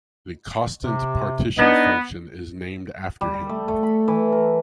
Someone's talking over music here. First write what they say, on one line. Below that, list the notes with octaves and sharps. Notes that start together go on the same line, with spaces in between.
The Kostant partition function is named after him.
C3
B3 D4 D#4 D#5
G3
G3
A3
A3
B5
E3
A#4